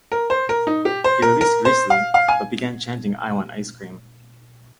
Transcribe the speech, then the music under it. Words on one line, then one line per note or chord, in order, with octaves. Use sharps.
He released Greasley, but began chanting "I want ice cream".
A#4
C5
A#4
D#4
G4
C5
A#4
A#4
C5
F5
F5
G#5